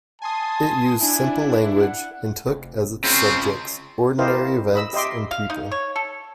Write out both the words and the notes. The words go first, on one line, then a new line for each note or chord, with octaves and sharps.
It used simple language and took as its subjects ordinary events and people.
G#5 A5 C6 D#6
D4 E4 G#5
F#5
F1
C#3 C4 F4
E4 G4 A#4 C5 D#5 F5
D#5 B5 E6
G4 D#5 E5 C6 D6
F5
D#4
C#5
A4